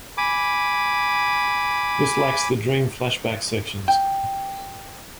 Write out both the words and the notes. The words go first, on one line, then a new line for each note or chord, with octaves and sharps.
This lacks the dream flashback sections.
G#5 B5 D6
G5